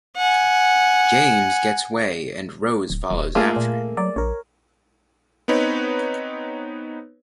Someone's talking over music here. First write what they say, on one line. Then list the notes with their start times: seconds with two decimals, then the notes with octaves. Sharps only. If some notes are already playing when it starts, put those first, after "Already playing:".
James gets way and Rose follows after him.
0.17 F#5 G#5
2.90 D1
3.10 D#1
3.35 A3 A#3 F4 G#4 F5
3.56 A#2
3.97 F#3 D5
4.16 A#1 A#4 C#5
5.48 B3 C4 D#4 B4 C#5